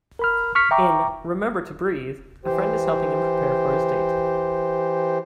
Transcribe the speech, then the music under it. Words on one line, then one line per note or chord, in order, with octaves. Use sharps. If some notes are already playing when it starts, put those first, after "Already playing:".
In "Remember to Breathe", a friend is helping him prepare for his date.
A#4 B5 F6
C#6 F6 B6 C#7
E5 G5 A#5 C#6 D6
E3 G4 C5